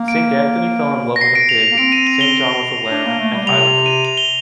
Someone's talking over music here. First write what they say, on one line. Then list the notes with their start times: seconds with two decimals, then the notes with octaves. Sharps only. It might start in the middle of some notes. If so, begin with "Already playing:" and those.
Saint Anthony fell in love with a pig, Saint John with a lamb, and I with you.
Already playing: A#3
0.08 D7
1.16 A#6
1.21 C7
1.35 D7
1.49 F7
1.72 A#3
1.78 C4 D7
1.92 D#7
2.07 F7
2.21 G7
2.91 D4
3.06 A#3
3.19 A3
3.33 G3
3.47 C3 F7
3.86 D#7
4.05 F7
4.17 G7